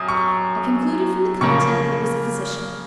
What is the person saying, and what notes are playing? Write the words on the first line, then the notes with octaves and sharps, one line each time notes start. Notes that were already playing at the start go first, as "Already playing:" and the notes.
I concluded from the content that he was a physician.
Already playing: F#2 D#6
C#6
C#3 F3 A#3 C#6